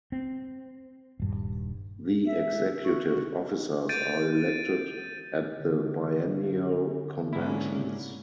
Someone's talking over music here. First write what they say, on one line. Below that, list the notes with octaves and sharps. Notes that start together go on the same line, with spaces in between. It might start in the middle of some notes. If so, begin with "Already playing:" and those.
The Executive Officers are elected at the biennial conventions.
C4
D#1 G2
E5
F#4
G6 A6 D7 D#7
D3
G#2 A#3 C#4 D4 E4